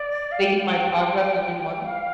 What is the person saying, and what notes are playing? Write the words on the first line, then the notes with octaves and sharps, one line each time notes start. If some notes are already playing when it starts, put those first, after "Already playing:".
state my progress every month.
Already playing: D5
F5
G5
F5